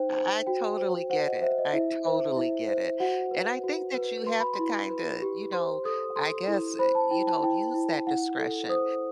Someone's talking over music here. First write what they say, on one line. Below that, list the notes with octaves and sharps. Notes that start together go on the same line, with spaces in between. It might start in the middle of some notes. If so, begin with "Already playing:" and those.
I totally get it, I totally get it, and I think that you have to kinda, you know I guess, eh you know, use that discretion.
Already playing: D#4 C5 G5
C5
F#4 G5
C5
C5 F#5
D#5
C5 E5
D#5
E4 E5
C5 E5
E4 E5
C5
F#4 F#5
B4
F#4
B4
B4 C6
B5
C6
E4
B4
G4
C5 C6
A4 D#6
A4 C6
E4
C5 B5
A5
E4 G5
A5
E4 G5
E4
E4 F#5
A4
C5 D#6